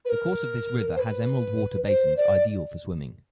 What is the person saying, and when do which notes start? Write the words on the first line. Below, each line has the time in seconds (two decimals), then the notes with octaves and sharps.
The course of this river has emerald water basins ideal for swimming.
0.05 B4
0.10 A#4
0.96 C5
1.00 B4
1.87 C5
2.17 D5